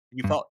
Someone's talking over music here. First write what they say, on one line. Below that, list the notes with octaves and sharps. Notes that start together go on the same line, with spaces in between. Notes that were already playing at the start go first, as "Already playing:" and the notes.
you felt
G2